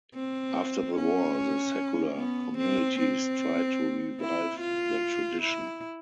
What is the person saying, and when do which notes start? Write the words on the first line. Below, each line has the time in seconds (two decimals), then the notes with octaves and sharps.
After the war the secular communities tried to revive the tradition.
0.15 C4
0.96 C#4
2.18 B3
2.58 C4
2.99 C4
4.20 E4
4.60 F4
5.42 E4